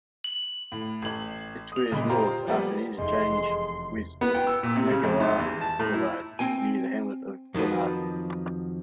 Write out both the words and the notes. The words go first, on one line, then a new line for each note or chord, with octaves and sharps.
It swerves north after an interchange with Neyagawa Boulevard, near the hamlet of Glenarchy.
F#7
A2
A1 F#7
D#6 F7
F#1 A#2 C#3 G#3 B5
F4 G4 A#4 C5 A#5 C6
F3 G3 A#3 B3
F1 E2 G#3 D#4 C6
B3
G5
E6
A#2
C3
C#3
F2
G#1
E2
A5
A2
E4
C4 G5 G#5
F2 D#3 F3 F#3 B4